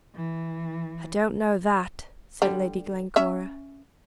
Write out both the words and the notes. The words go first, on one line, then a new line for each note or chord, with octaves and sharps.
"I don't know that," said Lady Glencora.
E3
D3 G3
C#4 E5